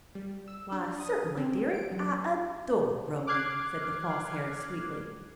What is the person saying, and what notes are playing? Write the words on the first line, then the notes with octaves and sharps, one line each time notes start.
"Why certainly, dearie, I adore rowing," said the False Hare sweetly.
G3
E6
D4
D#6
C4
D7
F#3
D6 F6 F#6 G#6 C7